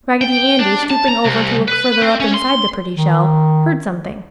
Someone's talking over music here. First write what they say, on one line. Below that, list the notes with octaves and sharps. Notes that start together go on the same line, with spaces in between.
Raggedy Andy, stooping over to look further up inside the pretty shell, heard something.
G5
D4
A5
A#5
C2
B4
C4
C#4
C6
D#3